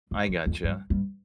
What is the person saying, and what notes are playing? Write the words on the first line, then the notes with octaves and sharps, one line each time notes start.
I gotcha.
E2
F2
F2
G2
G2